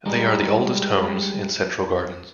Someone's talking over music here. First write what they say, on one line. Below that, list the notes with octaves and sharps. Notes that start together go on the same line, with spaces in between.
They are the oldest homes in Central Gardens.
G3 G#3 D#4